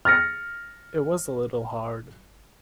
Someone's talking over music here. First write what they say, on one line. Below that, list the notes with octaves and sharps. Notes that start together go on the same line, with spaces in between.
It was a little hard.
F6 A6 A#6 C#7